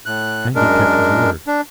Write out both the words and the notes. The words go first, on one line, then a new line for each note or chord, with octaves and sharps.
And he kept his word.
A2 F#6
F#2 G#3 D4 A#4
D4